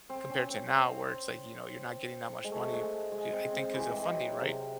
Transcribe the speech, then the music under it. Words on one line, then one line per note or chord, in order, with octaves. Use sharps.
compared to now where it's like, you know, you're not getting that much money. B I think 'cause of funding, right?
C4
C#4
C4
C4
G#3
A3
G#3
G#3
C4
C4
E3
G#3
F#3
C3